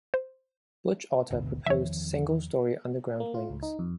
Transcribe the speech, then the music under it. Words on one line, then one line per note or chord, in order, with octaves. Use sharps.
"Butch" Otter proposed single-story underground wings.
C5
G#1 D2 B2
E2 D#3 F3 C#5 E5
A#3
F4
C#2
D#4
F2